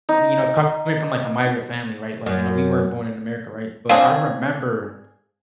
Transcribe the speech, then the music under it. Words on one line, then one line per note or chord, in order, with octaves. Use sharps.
you know, coming from, like, a migrant family, right, like, you know, we weren't born in America, right? But I remember
D#4
F#2
C4 D4 G#4 F5